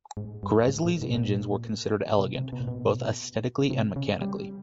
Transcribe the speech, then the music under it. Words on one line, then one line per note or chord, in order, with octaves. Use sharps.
Gresley's engines were considered elegant, both aesthetically and mechanically.
G#2
G2
G#2
A2
B2
A2
A#2
B2
C3
B2
A#2
B2
C3
C#3
G3